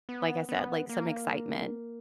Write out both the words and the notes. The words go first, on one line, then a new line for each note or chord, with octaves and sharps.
like I said, like, some excitement
B3
B3
A#3